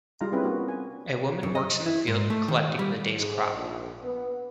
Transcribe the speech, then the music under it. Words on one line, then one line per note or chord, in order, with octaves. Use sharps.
A woman works in the field collecting the day 's crop.
G3 D#4 F4 G#4 F5 A#5
C4 C#4 E4 G#4 B4
A#3 B3 D4 F#4
G#5
F#2
D#5
E4
G#2
A3
D#3
G3
G#2
A#1
B3